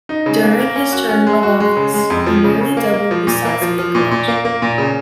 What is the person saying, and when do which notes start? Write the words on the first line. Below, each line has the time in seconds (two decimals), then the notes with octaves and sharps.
During his term of office he nearly doubled the size of the collection.
0.09 D#4
0.26 C#3
0.43 A#3
0.60 A#3
0.76 C#4
0.92 F#4
1.09 C#4
1.27 G#3
1.43 F#4
1.60 G#3
1.77 C#3
1.94 G#3
2.10 F2
2.26 F3
2.44 C#3
2.61 C#3
2.77 A#3
2.94 A#3
3.11 F3
3.27 A#2
3.45 A#3
3.62 F3
3.78 F3
3.95 A#2
4.11 A#2
4.28 A#3
4.45 A#3
4.62 A#2
4.78 C#3